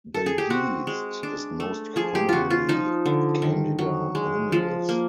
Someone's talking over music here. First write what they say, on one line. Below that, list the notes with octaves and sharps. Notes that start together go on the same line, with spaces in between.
The yeast is most commonly "Candida humilis".
A4
G#4
G4
C4 F#4
G#3
D4
A3
F3 G#4
G4
C#3 F4 F#4
F4
F3 D#4
D3
D#3
F#3
G#3
F3
A#3